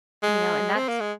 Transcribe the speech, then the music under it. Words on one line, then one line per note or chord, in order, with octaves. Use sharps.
you know, and that's
G#3
C4
A#3
G#3